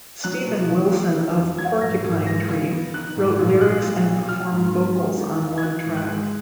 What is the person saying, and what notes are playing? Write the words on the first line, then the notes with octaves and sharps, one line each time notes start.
Steven Wilson of Porcupine Tree wrote lyrics and performed vocals on one track.
F#3 F#6
B2
C#2
A#3
D#3
F2
F#3 G#6
G#2 A#6
G#1
G#3 A#6
C#3
B3
D#3 F#6
G#2
A#1
G#3 F#6
A#2
B1
F3 F6
G#2
B3
G#3
D#3
D#2
G#6
F3 F#6
G#2
F#6
G#3